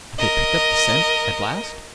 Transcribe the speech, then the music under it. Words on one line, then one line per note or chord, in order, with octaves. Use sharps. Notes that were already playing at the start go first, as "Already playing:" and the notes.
"Have they picked up the scent--at last?"
A#4 D#5